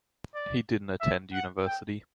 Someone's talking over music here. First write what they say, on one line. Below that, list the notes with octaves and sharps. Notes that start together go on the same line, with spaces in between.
He didn't attend university.
D5
E5
F#5
G5